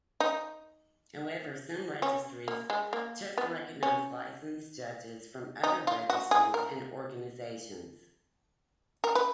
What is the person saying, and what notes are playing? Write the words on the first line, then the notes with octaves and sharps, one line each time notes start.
However, some registries choose to recognize licensed judges from other registries and organizations.
D#4
C#4
A#3
G#3
A#3
B3
C#4
D#4
F4
F#4
G#4
A#4
A#4
B4